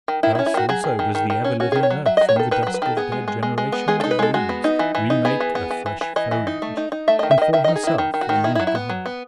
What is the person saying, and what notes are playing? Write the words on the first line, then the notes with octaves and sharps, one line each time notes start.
Thus also does the ever-living earth from the dust of dead generations of leaves re-make a fresh foliage, and for herself a new garment.
D#3
D#3 E4
E4
C#4
E4
D#3 F#4
F#3 G#4
D#3
D#3
D#3
D#3
C#4
C#4 F#4
G#4
D#3
C#5
F#3
F#3 E5
D#5
F#3
C#5
D#3 A4
D#3 B4
B4
F#3
B4
D#3 A4
B3 G#4
G#3
G#3
G#3
G#3
B3
G#3 G#4
A4
D#4
B4
G#3 A4
G#3 F#4
B3
D#4
E3
E3
D#4
B3 G#4
E3
B3
E3
E3
E3
E3 D#5
E3
D#4
A3
D#4
D#4
A3 E5
D#5
D#3
E5
D#3 D#5
D#3 E5
D#5
D#4
G#4
D#3 E4
D#3
D#3
F#4
D#3
D#4 E4
E4
F#3
E4
B3
F#3
B3